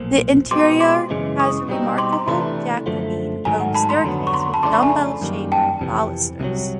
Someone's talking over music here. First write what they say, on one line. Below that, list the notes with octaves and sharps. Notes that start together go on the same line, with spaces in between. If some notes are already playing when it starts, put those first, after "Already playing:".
The interior has a remarkable Jacobean oak staircase with dumbbell-shaped balusters.
Already playing: B1 A#2 F3
B2 G#3 C4 C6 D6
C6 D6
F#2 C#3 E3 G#3
C#6 D#6
B2 G3 C4 D#4
C6 D6
A#5 C6
C3 E3 A3 D4 A#5 C6
F#2 D3 F3 A3
G#2 D#3 F#3 A3 G#5 A#5
F#5
A5 B5
A#5 C6
F2 D3 F#3 B3
C#6
A#5 C6
A5 B5
F2 C#3 F3 A3 D4 C6 D6
B5 C#6
G#5 A#5
F#2 D#3 G3 A#3
G5 A5
F2 C3 E3
C2 C3 D#3 F#3